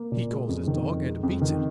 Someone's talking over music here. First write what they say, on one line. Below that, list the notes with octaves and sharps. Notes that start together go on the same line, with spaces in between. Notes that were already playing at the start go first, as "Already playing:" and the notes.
He calls his dog and beats it.
Already playing: A#3
A#2
G#3
F2
D#3
F2
G#3
F2
D#3